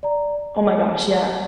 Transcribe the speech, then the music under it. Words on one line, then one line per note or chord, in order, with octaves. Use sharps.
Oh my gosh. Yeah.
D5 A#5